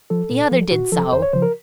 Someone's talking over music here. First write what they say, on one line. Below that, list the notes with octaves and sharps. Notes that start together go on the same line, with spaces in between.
The other did so.
F3 A4
A#2
F3
A#2 F#4
F3 A4
F2 C5
C#5
C#3 F3 C5
A#4